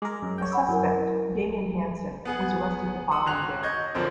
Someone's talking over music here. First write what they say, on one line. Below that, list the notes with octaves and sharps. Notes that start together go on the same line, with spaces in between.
A suspect, Damien Hanson, was arrested the following day.
G#3 A#4 D6
F#2
C#5 G5
F#5 B5 E6
F#2 E4 A#4
B3 G#4 F#5
F#5 D#6 E6
G#1 F#4 F#6 F7
D#5 C#6 G6 G#6
B1 D3 F3 C4 A#4